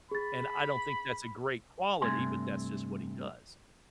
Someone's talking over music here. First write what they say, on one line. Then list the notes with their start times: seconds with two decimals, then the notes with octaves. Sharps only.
and I don't think that's a great quality, but that's just what he does.
0.11 G#4 B5 A6
2.01 G2 C3 A3 G#5 C6